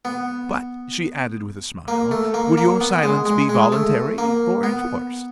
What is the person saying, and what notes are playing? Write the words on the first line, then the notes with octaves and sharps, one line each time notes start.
"But," she added, with a smile, "would your silence be voluntary, or enforced?"
B3
A#3
A3
A#3
A#3
B3
G#3
G#3
G#3
A3
A#3
B3